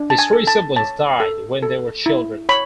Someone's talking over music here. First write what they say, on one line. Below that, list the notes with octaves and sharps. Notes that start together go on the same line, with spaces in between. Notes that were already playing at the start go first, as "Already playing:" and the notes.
His three siblings died when they were children.
Already playing: D4
A5
G#5
A4
A5
C#5 A5
A4
A4
E4
C#5 B5